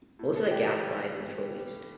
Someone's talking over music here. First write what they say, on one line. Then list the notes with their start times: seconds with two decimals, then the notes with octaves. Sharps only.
Most of the gas lies in Troll East.
0.19 A2
0.35 A4
0.51 E3 G4
0.67 G4
0.83 G3